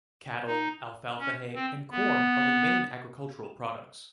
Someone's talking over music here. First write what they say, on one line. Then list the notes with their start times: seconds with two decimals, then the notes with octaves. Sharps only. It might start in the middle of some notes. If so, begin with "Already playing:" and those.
Cattle, alfalfa hay and corn are the main agriculture products.
0.47 D#4
1.19 C#4
1.55 C4
1.91 B3